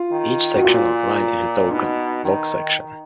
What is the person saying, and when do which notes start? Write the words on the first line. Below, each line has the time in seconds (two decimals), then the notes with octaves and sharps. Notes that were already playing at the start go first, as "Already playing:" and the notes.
Each section of line is a token "block section".
Already playing: F4
0.11 D#3
0.55 F#4
0.64 A#2 F4
1.71 B2 D#4
2.24 D#3